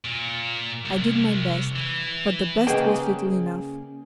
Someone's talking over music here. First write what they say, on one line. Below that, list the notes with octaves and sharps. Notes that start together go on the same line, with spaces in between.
I did my best, but the best was little enough.
A#2
C2
E3
C#3 A#3 G#4 B4 D#5 G5